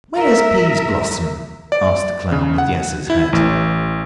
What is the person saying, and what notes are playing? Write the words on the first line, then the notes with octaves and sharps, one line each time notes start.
"Where's Peaseblossom?" asked the clown with the ass's head.
A#4 E5
D5
C#3
F#5
E4
A1